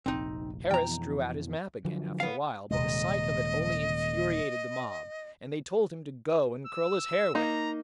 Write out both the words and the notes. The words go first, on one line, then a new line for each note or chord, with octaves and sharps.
Harris drew out his map again, after a while, but the sight of it only infuriated the mob, and they told him to go and curl his hair with it.
F1 A#1 C4 D#4
F2 B2 E3 G5 A#5
D3 F3 F#3
B3 F5
D#1 C3 G#3 D#5
E6
A#3 D#4 A#5